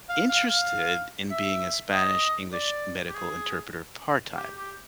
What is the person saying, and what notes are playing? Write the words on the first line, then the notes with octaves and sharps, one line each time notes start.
interested in being a Spanish-English medical interpreter part time,
F5
F5
F5
E5
D#5
D5
G4
G#4
G4
G4